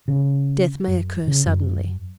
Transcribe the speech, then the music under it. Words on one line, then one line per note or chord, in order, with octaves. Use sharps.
Death may occur suddenly.
C#3
F#2
C#3
F#2